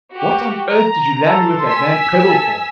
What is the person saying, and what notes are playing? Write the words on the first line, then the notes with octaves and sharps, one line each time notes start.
'What on earth did you land me with that man Prebble for?'
F#4 G4
A#5
A4 C6
G#5 E6 B6
A4